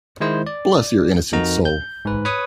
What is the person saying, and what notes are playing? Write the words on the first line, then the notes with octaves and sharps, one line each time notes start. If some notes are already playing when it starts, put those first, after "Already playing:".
Bless your innocent soul!
D#3 G#3 E4 C5
D5
F2 D#4 F#4 A#4 A#5
G6
G#2 B4
B4 C#5 C#6 D#6